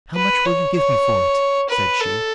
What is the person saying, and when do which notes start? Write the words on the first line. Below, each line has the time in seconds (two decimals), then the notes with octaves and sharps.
"How much will you give me for it?" said she.
0.15 B4
0.46 C#5
0.77 C#5
1.69 B4
2.00 A4